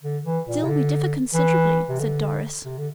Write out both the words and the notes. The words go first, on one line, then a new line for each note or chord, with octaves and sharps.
"Still we differ considerably," said Doris.
D3
E3
A#2
C3
D3
E3
C3
D3
C3
D3